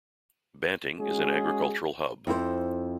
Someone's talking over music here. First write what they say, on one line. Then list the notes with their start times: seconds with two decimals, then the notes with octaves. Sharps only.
Banting is an agricultural hub.
1.00 G#3 C#4 F#4 G#4
2.27 F2 E4 F4 C5